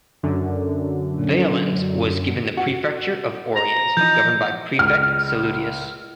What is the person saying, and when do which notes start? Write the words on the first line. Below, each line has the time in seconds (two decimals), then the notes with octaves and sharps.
Valens was given the Prefecture of Oriens, governed by prefect Salutius.
0.23 F#2 D3
2.57 F#4
3.54 A#5
3.97 E3 F3 D#4 G6
4.79 C#2 F6